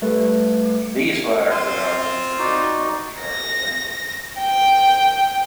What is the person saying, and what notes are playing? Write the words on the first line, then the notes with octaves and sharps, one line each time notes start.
These latter two albums produced no chart singles.
G3 A3 B4
C4 F4 C5
D#4 F#4 D5
A#6
G5